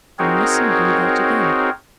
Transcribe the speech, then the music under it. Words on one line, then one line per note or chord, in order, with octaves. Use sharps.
"You mustn't do that again."
C4 D#4 F#4 G#4 A#4 C#5